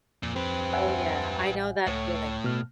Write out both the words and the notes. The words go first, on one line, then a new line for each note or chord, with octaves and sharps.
Oh, yeah, I know that feeling,
D1 F2 A#2 F3
C4 G4 B4
E5 F#5 G#5
A1
C#2 A2 C#5
B2 F6